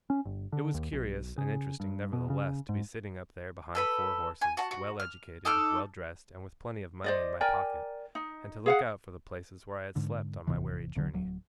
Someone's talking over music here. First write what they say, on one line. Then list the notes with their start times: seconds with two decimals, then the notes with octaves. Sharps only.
It was curious and interesting, nevertheless, to be sitting up there behind four horses: well educated, well dressed, and with plenty of money in my pocket; and to look out for the places where I had slept on my weary journey.
0.10 C#4
0.25 G1
0.52 D3
0.74 D#2
0.92 B1
1.38 C#3
1.80 G2
2.13 B2
2.30 C#3
2.69 G#2
3.75 A4 B4 B5
4.41 G#5
4.57 F#4 A5
4.71 F#4
5.00 F6
5.45 D#4 A4 D6 F6
7.04 C5 D5 D#5
7.41 A#4 D5 G5 G#5
8.15 D#4
8.66 G#4 F5 F#5
9.96 G#2 D3
10.47 G#1 E2 C3 E3
10.96 B1 D3 E3 F#3
11.14 D1 F#3